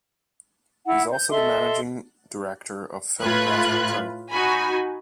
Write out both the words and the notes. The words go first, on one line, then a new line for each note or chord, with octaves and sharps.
He is also the managing director of "Filmgrafic Co".
E4 F#5
G6
A4 D#5 E5 C6
A2 F4 B4 B5 F#6 G#6
D#4 F#4 G#5 B5